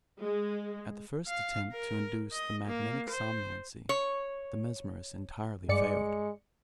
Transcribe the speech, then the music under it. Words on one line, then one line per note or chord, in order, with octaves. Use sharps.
At the first attempt to induce the magnetic somnolency, the mesmerist entirely failed.
G#3
F5
A#4
D#5
A#3
C5
C#5
G2 G#3 D5 C#7